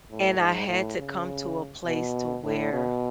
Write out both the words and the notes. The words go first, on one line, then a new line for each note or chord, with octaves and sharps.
And I had to come to a place to where
A2
G#2
A2
C#3
B2
A2
B2